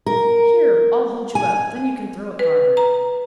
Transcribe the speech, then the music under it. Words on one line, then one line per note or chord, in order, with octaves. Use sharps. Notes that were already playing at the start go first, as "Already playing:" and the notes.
Here, I'll hold you up, then you can throw it farther.
A#4
G#5
B4
A#5